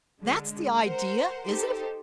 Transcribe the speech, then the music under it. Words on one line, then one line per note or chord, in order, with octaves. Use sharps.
That's the idea, is it?
D3 G#3
A#4 C5 F#5
D#4 G4 A4 C5